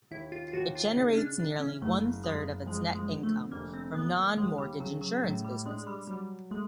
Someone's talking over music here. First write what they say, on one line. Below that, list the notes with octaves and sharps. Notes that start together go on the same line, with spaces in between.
It generates nearly one-third of its net income from non-mortgage insurance businesses.
D#2 E4
F4
F4
D#2 F#4
F4
C#3 D#4
C#4
D4
E3 D4
C#4
F#1 A3
F#1 G#3
F2 G#3
G#3
D3
A3
F1 A#3
C4
E3 B3
A#3
D#2 G#3
G3
C#3 F#3
F#3
A2 F#3
G3
G#3 D4
G#3
G3
F#3 G3
G#3 A3